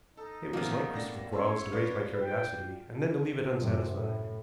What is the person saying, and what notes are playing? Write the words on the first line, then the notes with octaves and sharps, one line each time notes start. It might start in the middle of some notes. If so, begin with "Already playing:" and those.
It was like Christopher Quarles to raise my curiosity, and then to leave it unsatisfied.
D#4 A4
F#2 D#3 E3 A#3 B3
A2 D4 A#6
C#4 E4 C#5 C6
D4 F4 B4 F6
G5
F#2 A2 C3
A2